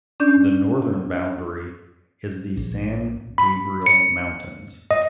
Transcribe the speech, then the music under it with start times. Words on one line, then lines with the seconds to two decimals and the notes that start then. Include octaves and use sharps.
The northern boundary is the San Gabriel Mountains.
0.20 C#4 D4 D5 G6
2.57 A#1
3.38 B5
3.86 C#7
4.91 D#5